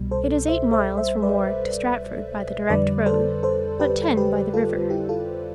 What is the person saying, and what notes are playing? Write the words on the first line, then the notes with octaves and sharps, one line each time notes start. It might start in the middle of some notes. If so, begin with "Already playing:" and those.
It is eight miles from Warwick to Stratford by the direct road, but ten by the river.
Already playing: C2 B2 G3
A4 C5
C5 E5
C5 E5
C5 E5
B4 D5
F2 D3 G3 B4 D5
A4 C5
A4 C5
G4 B4
G4 B4
F4 A4
E4 G4
F4 A4